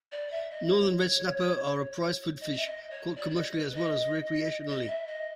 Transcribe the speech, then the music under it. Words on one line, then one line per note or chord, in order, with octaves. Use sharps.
Northern red snapper are a prized food fish, caught commercially, as well as recreationally.
D5
E5
D#5
C#5
D#5
E5
D#5
C#5
D5
D5
D#5
B4
D#5
D#5
E5
D#5